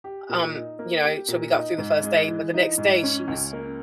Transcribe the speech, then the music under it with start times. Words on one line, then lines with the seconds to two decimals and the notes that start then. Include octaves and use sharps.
um, you know so, we got through the first day, but the next day, she was
0.04 G4
0.29 A#2
0.54 D#4
0.79 A#3
1.04 G4
1.28 A#2
1.54 D#4
1.78 G#2
2.03 G#3
2.28 E3
2.54 D#4
2.78 G#2
3.03 C#4
3.28 C#2
3.53 A#3